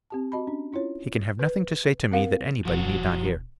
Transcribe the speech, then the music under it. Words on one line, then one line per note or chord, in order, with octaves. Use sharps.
He can have nothing to say to me that anybody need not hear.
C4 G4 A5
F#4 D#5 A5 B5
C#4 D4
C#4 E4 F4 C#5
B4
C4 A#4 F5 F#5
E1 F3 F#4